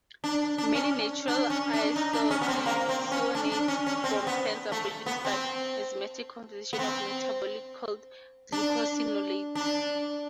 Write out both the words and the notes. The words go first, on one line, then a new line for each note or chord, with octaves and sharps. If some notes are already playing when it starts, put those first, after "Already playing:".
Many natural isothiocyanates from plants are produced by enzymatic conversion of metabolites called glucosinolates.
D4
D4
C#4
D4
C#4
D4
D#4
D4
C#4
B3
C4
A#3
C4
C#4
D4
D4
C#4
C#4
C4
B3
A3
B3
C4
B3
C4
D4
D4